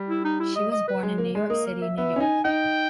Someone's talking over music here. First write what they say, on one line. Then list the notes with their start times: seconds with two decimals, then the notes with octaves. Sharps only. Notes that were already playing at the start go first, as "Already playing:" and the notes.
She was born in New York City, New York.
Already playing: G3
0.08 E4
0.25 D#4
0.40 E4
0.56 D#5
0.72 D#5
0.88 B4
1.03 G#3
1.18 A#3
1.35 G#3
1.50 A#3 D#5
1.66 A#4
1.82 E5
1.97 B3 E5
2.16 C#4
2.20 D#4 G#5
2.44 D#4 G5